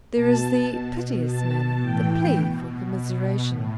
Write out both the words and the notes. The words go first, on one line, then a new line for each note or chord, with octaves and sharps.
There is the piteous manner,--the plea for commiseration.
B2 A5
B2
B2 A5
A2 E3 G5
B2
B2
A2